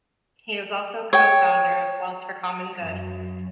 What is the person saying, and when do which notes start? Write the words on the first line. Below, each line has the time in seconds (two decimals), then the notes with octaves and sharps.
He is also co-founder of Wealth for Common Good.
1.13 C#5 G5
2.81 F#2